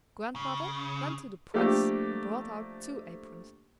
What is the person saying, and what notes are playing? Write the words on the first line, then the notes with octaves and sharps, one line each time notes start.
Grandmother went to the press and brought out two aprons.
C#3
F3 A3 A#3 D4 G4 A4